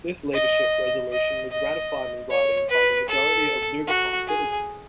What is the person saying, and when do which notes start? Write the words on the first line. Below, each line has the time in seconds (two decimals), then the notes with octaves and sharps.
This leadership resolution was ratified in writing by the majority of Lubicon citizens.
0.33 D#5
1.12 D#5
1.51 D#5
2.30 C#5
2.69 B4
3.09 A4
3.87 F#4
4.27 G#4